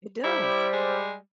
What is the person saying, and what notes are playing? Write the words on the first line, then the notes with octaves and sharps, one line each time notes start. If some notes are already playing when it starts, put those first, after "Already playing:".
It does.
G3 E4 C5
G#3